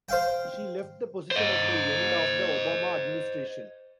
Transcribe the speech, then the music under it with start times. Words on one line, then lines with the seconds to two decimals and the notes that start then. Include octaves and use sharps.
She left the position at the end of the Obama administration.
0.09 C5 F5 G5
1.31 C5 D#5